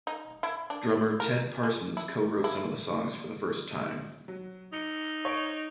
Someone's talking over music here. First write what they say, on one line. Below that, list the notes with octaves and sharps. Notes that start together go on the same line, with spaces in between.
Drummer Ted Parsons co-wrote some of the songs for the first time.
D#4
E4
D4
A#4
G#3
E4
E4
F#3
D#4 C#7
C#5 D7